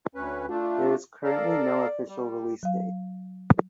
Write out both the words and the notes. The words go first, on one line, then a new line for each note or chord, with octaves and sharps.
There is currently no official release date.
D2 C#4 B4
A3 D4 F4
A4 A#4 D5 F5
G3
F#3 F5